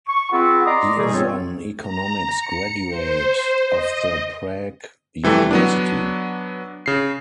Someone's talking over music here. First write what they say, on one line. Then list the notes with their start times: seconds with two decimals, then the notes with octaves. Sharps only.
He is an economics graduate of the Prague University.
0.08 C#6
0.32 C4 F4 G#4 B4 E5 F#5
0.65 D5 D#5 A#5 C6 D6 D#6
0.97 B2 E3 G3 A3 G#4
1.13 B3 C4 F4 A4 C#5
1.81 A#5
2.35 C#7
2.88 C5
3.67 D#5
5.23 C3 E3 G3 A3
5.51 F#3 B3 D4
6.86 C#3 C7